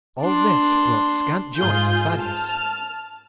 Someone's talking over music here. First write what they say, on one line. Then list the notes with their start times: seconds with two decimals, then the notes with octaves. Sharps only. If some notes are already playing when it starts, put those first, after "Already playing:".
All this brought scant joy to Thaddeus.
0.22 D4 C6
1.56 G#2 F4 G#4 G6
2.16 A5 F6